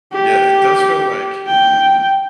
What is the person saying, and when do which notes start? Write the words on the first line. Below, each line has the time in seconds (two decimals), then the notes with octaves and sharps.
Yeah. It does feel like
0.13 G4
1.47 G5